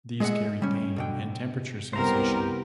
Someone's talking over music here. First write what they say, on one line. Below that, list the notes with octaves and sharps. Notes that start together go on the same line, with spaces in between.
These carry pain and temperature sensation.
G#3 G#4 D#5 E5 F#5
G3 C#4
B2 D3 G5
C2 B3 C4 G4 A#4 C5 A#5